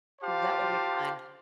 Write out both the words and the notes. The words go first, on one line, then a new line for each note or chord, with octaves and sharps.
That will be fun.
F4 G4 C5 F5 A5 D6